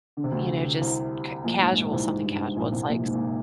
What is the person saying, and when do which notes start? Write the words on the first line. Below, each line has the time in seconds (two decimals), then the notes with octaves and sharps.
you know, just c casual something casual, it's like s
0.17 D3
0.24 C3
0.32 D2 D3
0.81 C2 C3
1.44 A#1 A#2
1.61 G#2
1.77 G#2
1.92 C2 C3
2.08 G#2
2.24 G2
2.41 G#2
2.56 A#1 A#2
2.72 C2 C3
2.88 A#1 A#2
3.04 G#2
3.13 A#2